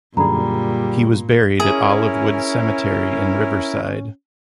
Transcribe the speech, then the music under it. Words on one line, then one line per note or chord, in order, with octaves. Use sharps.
He was buried at Olivewood Cemetery in Riverside.
F#2 A#2 D3 G3 G#4 A#5 B5
C#4 E4 G#4 A#4